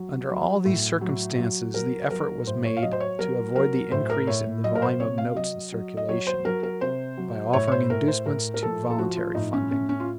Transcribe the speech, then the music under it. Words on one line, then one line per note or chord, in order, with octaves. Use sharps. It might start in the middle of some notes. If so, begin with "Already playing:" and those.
Under all these circumstances the effort was made to avoid the increase in the volume of notes in circulation, by offering inducements to voluntary funding.
Already playing: F#3
F#3
A2
F#3
F#3
F#3 A#4
F#3 A#4
A2 C5
C#5
F5
F#3 D#5
C5
C#5
F#3 A#4
F#3 A#4
A2 C5
A#4
A2 C#5
F#3 D#5
A#4
C5
C3 C#5
F5
F#3 D#5
F#3
D#5
F#3 C#5
C5
F#3 A#4
A#4
C3 C5
F#3
A2 C#5
C#5
C5
A2 A#4
C5
A2 A#4
A#4
F3 A4
A4
F3 F#4
F4
A2 D#4
C#4
A2 C#4
C#4
F4